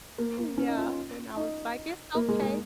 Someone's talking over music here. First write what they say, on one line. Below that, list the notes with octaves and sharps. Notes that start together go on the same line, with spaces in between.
And, yeah, and I was like, "It's okay."
A#3
A#3
C#4
D#4
F4
D#4
A#3
G#3
G#3